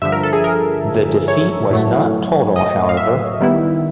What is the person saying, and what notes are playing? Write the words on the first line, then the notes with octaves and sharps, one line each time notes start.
The defeat was not total, however.
G2 D3 F3 E5
A#4
A4
G#4
A#4
C#5
A2 F#3 A3
D#5
F5
E5
D#3 G3 B3 E4